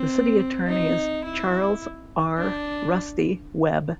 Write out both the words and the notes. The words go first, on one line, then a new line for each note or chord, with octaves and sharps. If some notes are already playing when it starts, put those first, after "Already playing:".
The City Attorney is Charles R. "Rusty" Webb.
Already playing: C4
D#4
E4
D4